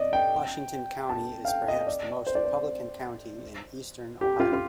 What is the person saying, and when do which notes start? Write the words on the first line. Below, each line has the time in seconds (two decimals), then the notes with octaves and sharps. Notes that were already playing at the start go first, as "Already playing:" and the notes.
Washington county is perhaps the most Republican county in eastern Ohio.
Already playing: D5 D#5
0.13 G5
1.09 A5
1.45 F5
1.48 G5
1.68 D#5
1.87 D5
2.27 C5
2.35 D5
2.44 C5
4.21 G4
4.40 F4
4.53 F4